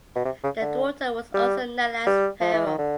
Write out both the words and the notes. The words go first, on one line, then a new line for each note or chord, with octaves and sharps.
The daughter was also known as Pero.
B2
C3
C#3
D3
G3
G3
F3
E3
D#3
D3